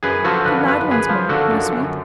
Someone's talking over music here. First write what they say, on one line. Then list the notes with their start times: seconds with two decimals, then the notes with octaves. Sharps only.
Good-night once more, my sweet.'
0.03 F#2 G#4 B4
0.24 F3 F#4 A4
0.45 D3 B4
0.66 F#2 B4
0.87 F#2 G#4 B4
1.09 F3
1.29 D3 F#4 A4
1.50 F#2
1.72 F#2